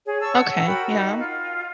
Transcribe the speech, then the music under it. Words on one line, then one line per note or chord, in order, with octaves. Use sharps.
Okay, yeah.
G#4 C#5
C#5 A5 C#6 E6
F#5 E6
F#4 A#4 G5 B5
D#4
F4